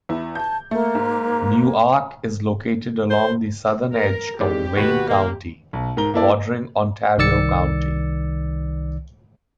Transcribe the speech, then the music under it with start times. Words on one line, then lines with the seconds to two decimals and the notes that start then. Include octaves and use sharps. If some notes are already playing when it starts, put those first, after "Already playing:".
Newark is located along the southern edge of Wayne County, bordering Ontario County.
0.09 E2 E4
0.35 A5 G6
0.71 A3 A#3
0.95 G#2
3.10 C5
3.94 A#4
4.39 E2 G#2 G4 D5
4.76 D#2 B2 F#4 B4
5.08 A#3
5.73 B1
5.97 G#2 A#4 A#5 G7
6.14 A#3 B3 E4 A4 D5
7.18 C2 D#3 D5 E6 A6 C#7